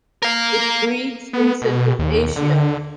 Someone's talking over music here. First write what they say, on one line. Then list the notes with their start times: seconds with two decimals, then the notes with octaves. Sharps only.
It breeds in central Asia.
0.22 A#4 F5
1.33 B3
1.62 B2
1.99 D#2
2.36 D3